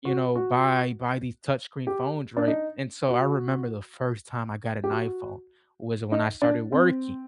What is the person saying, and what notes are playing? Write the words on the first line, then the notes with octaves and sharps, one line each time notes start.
you know, buy buy these touchscreen phones, right, and so, I remember the first time I got an iPhone was when I started working
F#4
F#4
G4
D4
D#4
F#4
G4
F#4
D#4
D4
C4